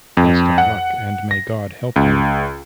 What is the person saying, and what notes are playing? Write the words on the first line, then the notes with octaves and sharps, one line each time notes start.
Best of luck, and may God help you.
F2
F#5
A#6
C#2